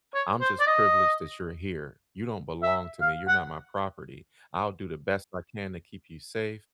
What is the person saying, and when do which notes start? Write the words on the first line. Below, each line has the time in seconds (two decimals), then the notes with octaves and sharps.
I'm just privileged that you're here. You don't belong to me. You're not my property. I'll do the best I can to keep you safe,
0.14 C#5
0.41 C5
0.60 D5
0.67 D#5
2.63 E5
3.01 F5
3.28 F#5